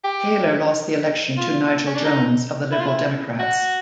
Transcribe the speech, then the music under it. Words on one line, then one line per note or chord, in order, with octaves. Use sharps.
Taylor lost the election to Nigel Jones of the Liberal Democrats.
G4
F4
C#4
D4
D#4
E4
F4
E4
F#4